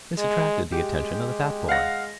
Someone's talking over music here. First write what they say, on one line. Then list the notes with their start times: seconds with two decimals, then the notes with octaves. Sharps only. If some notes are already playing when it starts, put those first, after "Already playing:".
This attracted the attention of the fat boy.
0.18 G#3
0.72 G#3 G4
1.69 F5 F#5 A#6